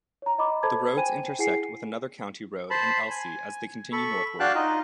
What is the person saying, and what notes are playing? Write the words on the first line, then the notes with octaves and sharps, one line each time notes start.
The roads intersect with another county road in Elsey as they continue northward.
C#5 A#5
D#5 B5 D6
A4 C5 A5 B5 G#6
C5 G5 G#5 D#7
E4 G#4 F#5 G#5 C7 C#7
C5 A5 B5
G#5
A4 B5 C#6
D4 F#4 F5 G5 A5 F#6
D#4 F4 D#5